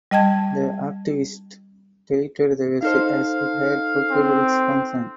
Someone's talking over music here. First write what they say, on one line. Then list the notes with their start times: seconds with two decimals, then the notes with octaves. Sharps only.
The activist deleted the website as it had fulfilled its function.
0.11 G3 D#5 G5 A5 G#6
2.83 D#4 A4 C5 F5
4.11 C4